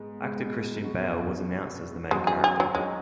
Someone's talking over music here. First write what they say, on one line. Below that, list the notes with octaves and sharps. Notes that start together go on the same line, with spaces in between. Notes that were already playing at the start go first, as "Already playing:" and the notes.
Actor Christian Bale was announced as the main character.
Already playing: G#2 G#3 B3
G#2 G#3 B3
B2 B3 F#4
B2 B3 F#4
F#2 F#3 G#3 D#4 F#4
G#4
G#4
F#3
F#2 F#3 G#3 D#4 F#4